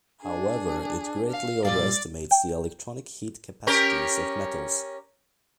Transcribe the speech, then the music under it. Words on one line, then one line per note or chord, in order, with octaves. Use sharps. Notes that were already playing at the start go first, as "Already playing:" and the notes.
However, it greatly overestimates the electronic heat capacities of metals.
D4 G#4
F5
A#2 G3 F4 D5 A6
G5
C#4 G4 A#4